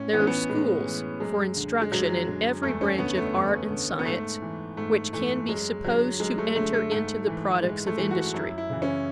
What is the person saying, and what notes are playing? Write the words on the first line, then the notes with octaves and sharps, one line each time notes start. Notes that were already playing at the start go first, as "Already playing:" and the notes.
There are schools for instruction in every branch of art and science which can be supposed to enter into the products of industry.
Already playing: A2 C#4
E3 B3
C#4
B3
A2 G#3
E3
F#2 G#3
D3
G#3
F#2 F#3
D3 G#3
E2 A3
C#4
D3 B3
A3
E2
D3
B3
G#2 A3
E3
G#2 A3
E3 A3
F#2 G#3
D3 F#3
F#2 G#3
A3
D3 A3
A3
G#2 A3
E3
G#2 G#3
A3
E3
F#4
F#2 E4
E4
C#3 E3
C#4